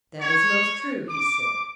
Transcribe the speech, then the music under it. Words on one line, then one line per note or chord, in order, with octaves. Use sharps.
That is most true, he said.
C#5
D6